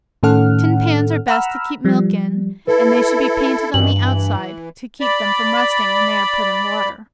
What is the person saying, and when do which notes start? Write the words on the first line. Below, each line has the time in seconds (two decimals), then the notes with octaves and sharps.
Tin pans are best to keep milk in, and they should be painted on the outside to keep them from rusting when they are put in water.
0.23 A2 D#3 C#4 A4 F#5 F6
1.28 F#5 A#5 B5 E6 F6
1.85 F3 G3
2.67 E4 A4 B4
3.74 G2 B2 D#3 E3 F#7
3.97 E3
5.01 D5 B5